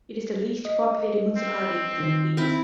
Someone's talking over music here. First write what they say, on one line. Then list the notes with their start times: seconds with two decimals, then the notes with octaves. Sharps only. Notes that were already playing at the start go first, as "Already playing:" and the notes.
It is the least populated municipality in the Philippines.
0.65 D#5
1.37 C4
1.98 D#3 D#4
2.37 C4 E4